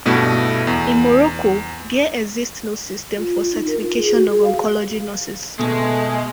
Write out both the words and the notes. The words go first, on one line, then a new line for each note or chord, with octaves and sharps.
In Morocco, there exists no system for certification of oncology nurses.
G2 B2 A3 E4
E2
F4
D#4
A#4
F4
G#4
F#4
G#4
F5
B2 G#3 A3